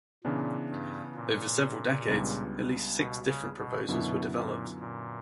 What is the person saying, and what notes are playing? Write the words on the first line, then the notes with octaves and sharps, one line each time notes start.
Over several decades At least six different proposals were developed.
A#2 C#3 E3 B3 D4
G2
A#2
C#2 C#3 G3 B3 D4
B2
C#3
B2
F#2 B2 D3 F#3 B3 E4
A#2
A#2